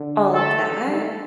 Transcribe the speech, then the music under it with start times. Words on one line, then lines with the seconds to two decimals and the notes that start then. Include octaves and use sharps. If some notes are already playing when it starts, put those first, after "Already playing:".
all of that,
Already playing: D3
0.33 A3 A4
0.87 G3
1.00 A3